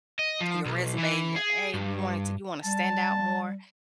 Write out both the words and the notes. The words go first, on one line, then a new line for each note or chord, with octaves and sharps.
your resume, "Hey, you want it to you wanna stand out more,
D#5
F3
B1
E3
G#4
G2
G3 A5